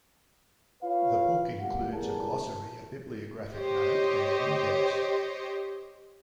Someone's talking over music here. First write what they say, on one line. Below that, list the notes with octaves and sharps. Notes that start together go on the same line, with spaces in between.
The book includes a glossary, a bibliographic note, and an index.
F4 B4 C#5 F5
G1 A#2 G3 G4 F#5
G1 E2 G3 G#4 A#4 A5
G4 C5 C#5 D#5